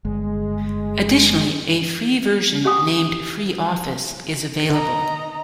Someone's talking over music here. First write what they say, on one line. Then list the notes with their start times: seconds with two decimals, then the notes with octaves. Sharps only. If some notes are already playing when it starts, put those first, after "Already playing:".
Additionally, a free version named FreeOffice is available.
0.05 G1 G#3
2.64 C#4 G4 F#5 G#5 D#6
4.70 D#5 A#5